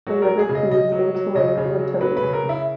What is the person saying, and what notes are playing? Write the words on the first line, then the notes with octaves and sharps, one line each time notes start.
The river feeds into Lake Rotoiti.
F#3 F#4
A#4
F#3
G#4
C#3
D#5
C#3 D#5
F#3
F#3
C#3 D#5
C#3
F#3
F#3 B4
B4
C#3
A#4
C#3
E4